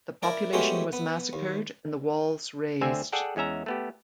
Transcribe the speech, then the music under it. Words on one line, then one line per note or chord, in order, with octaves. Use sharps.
The population was massacred and the walls razed.
E4 A#4 D5
F#3 G#3 A3 B3 C#4 G4
B3
D#2
D2 D3 C4 E5 G#5
G#4 A4 D5 F#5 G5
E2 G#3 C#4 E5 A#5
A3 B3 G4